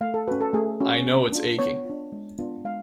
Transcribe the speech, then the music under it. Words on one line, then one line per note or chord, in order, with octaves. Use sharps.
I know it's aching.
A3 F5
A4
C#4 F#4 B4
A4
A3 G#4
C#4 F#4
B3
D4 F4
B3 C#5
D4 F4
G#3
B3 D4 F4
G#3 F5